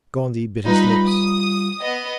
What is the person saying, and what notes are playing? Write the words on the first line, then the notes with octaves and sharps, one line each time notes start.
Gondy bit his lips.
G3 D#4 F4 B4 B5
D#6
B3 D#5